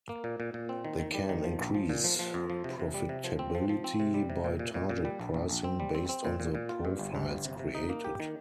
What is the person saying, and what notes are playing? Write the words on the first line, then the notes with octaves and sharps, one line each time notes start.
They can increase profitability by target pricing based on the profiles created.
A#3
A#2
A#2
A#2
C4
D#3
D#3
G3
D#3
F3
A#1
F3
A#2
F3
F3
F2
F3
C3
C3
G3
C3
F3
C4
F3
F3
C4
C3
G3
C3
A#2
A#2
A#2
A#2
G3
A#1
A#1
A#1
C4
G3
C4
C4
A#2
A#2
A#2
F4
G2
G1
G2
G1
C3
C3
D#4
A#3
G4
D#3